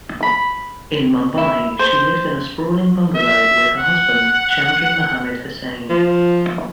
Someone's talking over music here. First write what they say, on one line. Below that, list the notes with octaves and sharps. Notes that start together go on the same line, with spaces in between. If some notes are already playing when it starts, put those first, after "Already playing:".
In Mumbai, she lived in a sprawling bungalow with her husband Chaudhry Mohammed Hussain.
B5
E4
C5
E5
F#5
F3